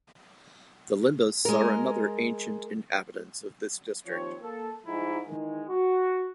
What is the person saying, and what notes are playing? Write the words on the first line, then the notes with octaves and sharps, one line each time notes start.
The Limbus are another ancient inhabitants of this district.
G#3 A#4
D#2 F3 C4 C#5
A#3 A4
G#2 F3 G3 D#4 E4
D#3 E3 G#3
F#4